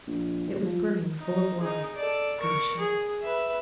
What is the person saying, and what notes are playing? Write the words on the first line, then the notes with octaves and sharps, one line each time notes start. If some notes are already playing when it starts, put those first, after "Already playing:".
It was brimming full of love--Gosh, honey!
A#1
D#2
F3
D#4
D#4 G#4
A4 D5
A#4 C#6
G#4
B4 E5